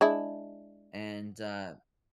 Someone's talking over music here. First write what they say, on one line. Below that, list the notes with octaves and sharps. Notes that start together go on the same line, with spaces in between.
and, uh
G#3 D4 E4